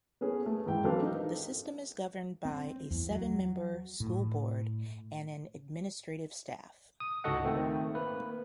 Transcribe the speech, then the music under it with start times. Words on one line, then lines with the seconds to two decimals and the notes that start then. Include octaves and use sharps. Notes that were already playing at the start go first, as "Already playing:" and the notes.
The system is governed by a seven-member school board and an administrative staff.
0.21 B3 C#4 G#4 A4
0.46 A3
0.66 G#2 E3 G5
0.84 F#3 C4 D4 A4 B4 F5
1.03 D#4
2.45 C4
2.91 E2
3.09 F#3
4.00 A2
7.00 D#6
7.24 C#2 G#2 F#4 A4 D#5 F#5
7.45 D#3 A3 C4
7.94 A#3 B4